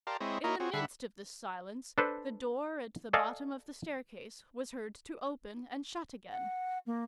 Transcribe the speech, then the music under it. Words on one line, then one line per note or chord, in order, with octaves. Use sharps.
In the midst of this silence, the door at the bottom of the staircase was heard to open and shut again.
G4 A#4 D5 F5 A5 C6
G#3 C4 E4 C#5 D#5
A#3 D#4 E4 A#4 C#5 D#5
C4 F#4 G#4 C#5
D3 G3 E5 F#5 B5
D4 A4 B4 C5
A4 D5 D#5 F5 G#5
F#5
A#3